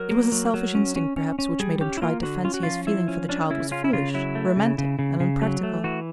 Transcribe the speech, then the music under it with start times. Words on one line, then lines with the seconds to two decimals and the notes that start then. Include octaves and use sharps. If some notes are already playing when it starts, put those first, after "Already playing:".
It was a selfish instinct, perhaps, which made him try to fancy his feeling for the child was foolish, romantic, and unpractical.
Already playing: F#3 A#4
0.11 A#3
0.32 F#3
0.54 F#3
0.75 C#4
0.96 C#4
1.17 C#4
1.39 C#4
1.60 G3 G#4
1.81 C#4 G4
1.97 E4
2.02 A#3 F4
2.23 D3 F#4
2.45 C#4 F4
2.54 F#4
2.63 F3 F4
2.87 F3 E4
3.08 C#4
3.29 C#4 D4
3.50 C#3 E4
3.71 C#4 F4
3.84 E4
3.93 C#3 F4
4.14 F#3 E4
4.35 A3
4.56 C#3
4.78 C#3
4.99 C#3
5.20 C#3
5.42 F#3
5.63 A3
5.84 E3 F#4